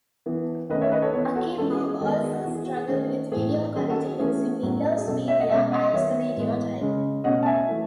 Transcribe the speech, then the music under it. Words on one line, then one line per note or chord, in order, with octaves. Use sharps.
Akimbo also struggled with video quality, using Windows Media as the video type.
E3 B3
D#3 A3 C#4 B4 D#5
C#5 E5
B4 D#5
A4 C#5
E3 B3 A4 C#5
F#4 A4
E3 G#3 C#4 F#4 A4
G#4
G#4
D#3 G#3 B3 F#4 A4
G#4
E3 B3 F#4
G#4
F#4
G#4
D#3 A3 C#4 G#4
A2 E3 A3 G#4
D#3 F#3 C#4 G#4
F#4 A4
G#4
E3 A3 C#4 G#4
A2 F#3 A3 C#4
G#4
B2 F#3 C#4 F#4 A4
C#5 E5
D#5 F#5
B2 G#3 C#4 C#5 E5
D#5 F#5
D#5
D#3 F#3 B3 C#5 E5
A2 E3 G#3 B3
C#3 G#3 C#4
B2 A3 C#4 D#5 F#5
A5
E5 G#5
E3 A3